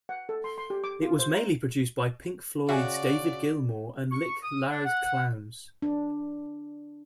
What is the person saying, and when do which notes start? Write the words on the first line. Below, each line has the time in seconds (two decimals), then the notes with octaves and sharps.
It was mainly produced by Pink Floyd's David Gilmour and Nick Laird-Clowes.
0.09 F#5
0.29 A4
0.44 C6
0.58 C6
0.70 G4
0.84 D6
1.02 F4
1.19 C5
1.34 A#5
2.69 C#3 F#4 D5 E5 G5 G#5
4.12 C#6
4.43 D#6
4.69 D4
4.84 F#5
5.82 D4